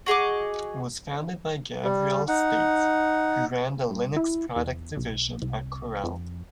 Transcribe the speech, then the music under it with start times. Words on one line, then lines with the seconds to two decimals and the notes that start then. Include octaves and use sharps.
It was founded by Gavriel State, who ran the Linux product division at Corel.
0.06 F#4 G#4 D#5 D6
1.83 G3
2.28 D#4 F#5
3.91 G2
4.17 E4
4.56 E2
4.97 B1
5.42 C2
6.03 F2